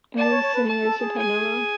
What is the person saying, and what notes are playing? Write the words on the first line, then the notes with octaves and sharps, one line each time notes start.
It is similar to panela.
D5 A5
C#5
C#5
B4
A5
A4
G#4
G#5